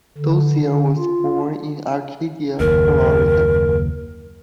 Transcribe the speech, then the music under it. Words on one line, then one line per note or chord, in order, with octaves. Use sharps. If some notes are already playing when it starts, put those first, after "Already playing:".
Dozier was born in Arcadia, Florida.
D3
D3
F4
F#1 D#2 A#4